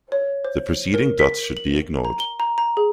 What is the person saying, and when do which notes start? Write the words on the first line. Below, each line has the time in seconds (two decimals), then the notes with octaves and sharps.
The preceding dots should be ignored.
0.12 C#5
0.45 C5
0.94 A#4
1.19 B6
1.57 F#7
2.05 A#5
2.20 G7
2.40 A#5
2.58 A#5
2.77 G#4